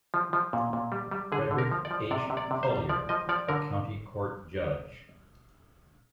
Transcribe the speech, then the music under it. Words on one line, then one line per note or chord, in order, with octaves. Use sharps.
Frederick H. Collier, a county court judge.
F3
F3
A#2
A#2
G3
G3
D3 G#4
D3
A#4
F3
D5
F3
C3 D5
C3
D5
C3
C5
G3
F3 D5
F3 D#5
F3 D5
D3 A#4